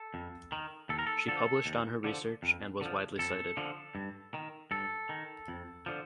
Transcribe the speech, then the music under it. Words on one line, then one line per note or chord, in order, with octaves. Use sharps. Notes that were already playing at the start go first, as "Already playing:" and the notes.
She published on her research and was widely cited.
Already playing: A4
F2
D#3
D#2 A4
A#4
A4
D3 F3 A4
D#2
D3 F3
F2
D3 F3
F2 A4
D3 F3
G2
D#3
G2 A4
D#3
F2
D3 F3